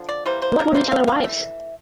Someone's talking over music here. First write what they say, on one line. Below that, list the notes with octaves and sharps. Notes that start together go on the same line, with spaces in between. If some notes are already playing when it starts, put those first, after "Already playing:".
What would we tell our wives?
Already playing: D3 F3
D5
E3 G3 A#3 C5
C5
A#4
E3 G3 A#3 C5
F5
F5
E3 A3 E5